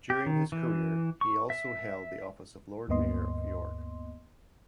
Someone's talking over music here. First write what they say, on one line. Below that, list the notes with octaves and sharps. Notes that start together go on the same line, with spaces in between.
During his career he also held the office of Lord Mayor of York.
G4
D#3
E3
C#6
E5
D2 G2 A#3 B3 D#5 C6